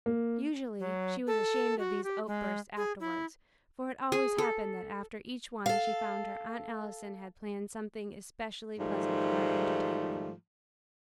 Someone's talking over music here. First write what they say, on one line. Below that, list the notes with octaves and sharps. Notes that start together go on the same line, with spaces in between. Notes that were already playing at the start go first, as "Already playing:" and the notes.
Usually she was ashamed of these outbursts afterwards, for it always happened that after each one she found her Aunt Allison had planned something especially pleasant for her entertainment.
A#3
F#3
A4
F#4
G4
G#3
G#4
E4
G#4
A4
A4 F5
G#2 D#3 F3 G3 A3